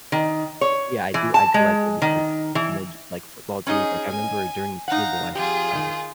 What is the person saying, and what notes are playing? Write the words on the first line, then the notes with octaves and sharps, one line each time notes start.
but yeah, I do I do like that because, you know, like football teams Like I remember during the Super Bowl, I think, uh
D#3
C#5
E3
A5
G#3
D#3
E3
C#4 D#4 G#4 D#5
G#5
D#4 F5 F#5 A#5
F2 F4 G4 G#4
D#3